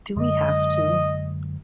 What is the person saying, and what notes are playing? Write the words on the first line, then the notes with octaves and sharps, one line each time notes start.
Do we have to?
F#2 D3 G#3 D#5